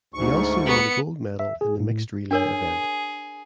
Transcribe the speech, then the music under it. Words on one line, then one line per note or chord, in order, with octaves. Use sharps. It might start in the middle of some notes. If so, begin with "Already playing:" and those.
He also won the gold medal in the mixed relay event.
D2 G#2 C#6
B3 C#7
E5
G#4
A2
D4 G#4 A#4 C#5